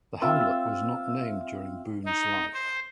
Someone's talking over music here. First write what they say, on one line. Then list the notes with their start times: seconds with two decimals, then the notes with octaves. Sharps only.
The hamlet was not named during Boone's life.
0.22 C4 F4 E5
2.05 D#4
2.54 C5